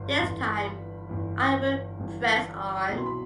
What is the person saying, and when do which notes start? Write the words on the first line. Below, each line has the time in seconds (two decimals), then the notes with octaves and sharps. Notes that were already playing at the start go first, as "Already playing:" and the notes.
This time I will press on...
Already playing: G1 G2 E3 C6
0.19 G1 G2 E3 B5
0.65 B5
1.09 G1 G2 E3
1.99 G1 G2 E3
2.89 C2 B2 F#3
2.98 C6
3.06 B5